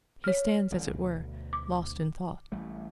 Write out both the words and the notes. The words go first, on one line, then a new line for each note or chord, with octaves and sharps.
He stands, as it were, lost in thought.
C#5 F6
A1 D3 G3
D2 B2
D6
A1 G3 A3